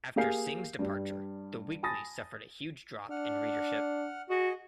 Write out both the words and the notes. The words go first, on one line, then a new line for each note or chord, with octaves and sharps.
After Singh's departure, the weekly suffered a huge drop in readership.
A#3 G4 G#4 F5 G6 C7
G2 G3
G#5 A5 B5 D#6 A6 A#6
D4 F#5 F6
F#4 G#4 D#5